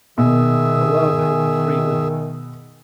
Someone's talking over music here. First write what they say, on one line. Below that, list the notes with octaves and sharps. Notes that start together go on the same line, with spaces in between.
The larvae are free living.
B2 D#3 G#4 E5